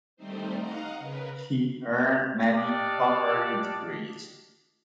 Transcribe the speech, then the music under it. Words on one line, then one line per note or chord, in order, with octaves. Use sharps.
He earned many honorary degrees.
D#3 G3 A3 C4 D#4 C5
D#5 F5 F#5 A#5
C#3 A#4 B4
G4 D5 D#5 F5 F#5 A5